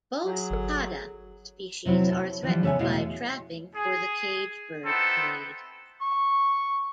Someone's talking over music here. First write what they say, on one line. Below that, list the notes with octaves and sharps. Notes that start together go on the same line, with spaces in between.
Both "Padda" species are threatened by trapping for the cage bird trade.
F#3 G#4
G1 A4
C3 F#3 C4 E4
A4 C#5
D3 E3 F3 G3
C#3 B3 A4 E5 G#5
E2 B2 G#3 A3 E4 F5
G#4
B3 C4 D#4 E4 A4
C#6